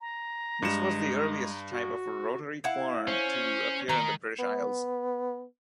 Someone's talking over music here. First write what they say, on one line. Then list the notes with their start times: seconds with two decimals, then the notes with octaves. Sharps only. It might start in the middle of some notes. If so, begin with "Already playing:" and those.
This was the earliest type of rotary quern to appear in the British Isles.
0.01 A#5
0.62 G2 G#3 C#7 E7
1.72 F#4
2.64 E4 F5 F#5
3.08 C#4 C5
3.89 D#3 A#5
4.39 B3